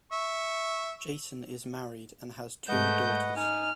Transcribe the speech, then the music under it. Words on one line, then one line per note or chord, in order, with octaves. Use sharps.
Jason is married and has two daughters.
E5 C#6
G#2 A3 B4 D#5 F#5 G6
D#4 G#5 F6